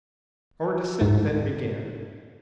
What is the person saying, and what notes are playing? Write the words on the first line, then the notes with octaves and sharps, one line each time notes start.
Our descent then began.
G#2